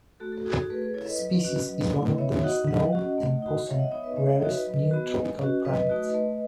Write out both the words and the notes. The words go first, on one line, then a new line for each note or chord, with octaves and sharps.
The species is one of the least known and possibly rarest Neotropical primates.
A3 F#4 A4
F#4 A4
D#4 F#4 G#4
F#4 A4
A3 G#4 B4
G#4 B4
E4 A4 C#5
B4 D#5
F#3
C#4 F#4
F#3
A3 E4
B3 C#5 E5
D#4 F#4 D#5 F#5
F#3 D#5 F#5
C#4 F#4
A3
D#4 F#4
G#3 C#5 E5
D#5 F#5
B3 D#4 C#5 E5
B4 D#5
G#3 C#5 E5
D#5 F#5
D#4 F#4 C#5 E5
B4 D#5
F#3
B3 F#4
G#3
C#4 F#4
F#3 B4 D#5
A3 D#4 F#4
A3